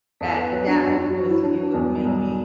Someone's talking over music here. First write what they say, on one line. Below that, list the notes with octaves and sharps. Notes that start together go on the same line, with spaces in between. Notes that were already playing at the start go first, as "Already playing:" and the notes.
That that one was you w would make me
E2 A4
B4
F#3 B4
D4
F#2 D4
F#4
F#3 F#4
E4
F#3 D4
D4
E2 B3
G3
B1 G3
G3